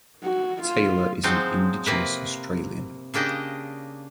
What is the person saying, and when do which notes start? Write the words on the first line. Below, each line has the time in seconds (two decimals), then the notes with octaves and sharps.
Taylor is an Indigenous Australian.
0.24 F#4
0.63 F4
1.23 F3 F#3 G#3 C4 D#4
1.86 C3 A#3 B4
3.14 C#3 A#3 D4 G4 D#5